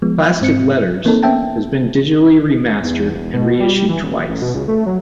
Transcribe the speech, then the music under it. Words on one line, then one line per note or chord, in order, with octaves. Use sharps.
"Plastic Letters" has been digitally remastered and re-issued twice.
F3 G#3 B3
G#2 C4 C#7
E3 A#3 C4 D#4 A4
B3 C#4 E5 G5 A5
E2
E1
B2
G3
E3
D#1
A1
B2
C#2
A3
F#3